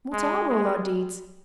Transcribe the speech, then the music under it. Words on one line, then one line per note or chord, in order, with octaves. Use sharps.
What are all our deeds?
G#3
G#3